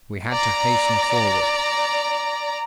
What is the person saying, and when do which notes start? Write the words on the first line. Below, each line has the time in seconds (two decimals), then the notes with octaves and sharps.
We had to hasten forward.
0.33 D5 A#5